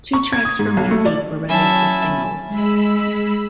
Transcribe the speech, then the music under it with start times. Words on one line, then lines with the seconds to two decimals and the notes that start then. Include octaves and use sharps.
Two tracks from "Musique" were released as singles.
0.13 C#6
0.33 G#6
0.45 D#6
0.59 G#2
0.77 B1
0.91 A3
1.05 D5
1.49 F#3 C#4 E4 E5 A5
2.48 G#3 B5 E6